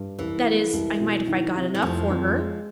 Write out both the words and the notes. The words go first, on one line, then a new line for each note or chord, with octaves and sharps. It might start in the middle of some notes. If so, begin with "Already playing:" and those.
That is, I might if I got enough for her.
Already playing: G2
C2 E3
G#3
C2
B2
D#3
C3
E3
F1 F3
F2
G#3